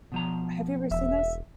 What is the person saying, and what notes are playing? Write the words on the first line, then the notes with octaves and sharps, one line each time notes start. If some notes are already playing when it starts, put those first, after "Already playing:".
Have you ever seen those?
B2 F3 A#5
E1 E5